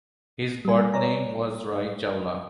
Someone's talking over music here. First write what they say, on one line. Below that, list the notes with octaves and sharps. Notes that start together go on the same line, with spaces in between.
His birth name was Rai Chawla.
G3 G#5
C#5 D5 A#5